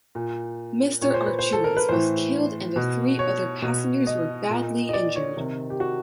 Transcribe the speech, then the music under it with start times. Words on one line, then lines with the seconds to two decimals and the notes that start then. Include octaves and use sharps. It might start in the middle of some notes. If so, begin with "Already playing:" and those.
Mr. Achuas was killed and the three other passengers were badly injured.
0.15 A#2
1.01 A#2 C#5
1.14 C5
1.26 B4
1.39 C5
1.53 A4
1.64 A#4
1.77 B4
1.89 A2 E3 C5
2.76 B2
3.19 C#5
3.62 B2
4.07 D#5
4.50 A#2
4.89 D#5
4.93 D5
5.16 C#5
5.37 C3 D#3
5.70 G4
5.80 F#4